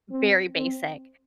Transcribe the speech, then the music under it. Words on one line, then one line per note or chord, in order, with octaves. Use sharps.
very basic.
C4
C4